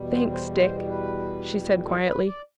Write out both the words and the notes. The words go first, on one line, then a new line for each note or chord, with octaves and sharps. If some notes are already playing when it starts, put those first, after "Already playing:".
"Thanks--Dick," she said quietly.
Already playing: E2 B2 G3
C5
C5
C5
B4
A4
B4
D5